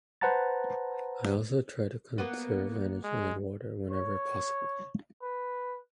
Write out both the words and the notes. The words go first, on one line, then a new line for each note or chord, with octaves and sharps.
I also try to conserve energy and water whenever possible.
B4 C5 F#5 A5 A#5 A6
A#3 B3 B4
G#3
C#5
B4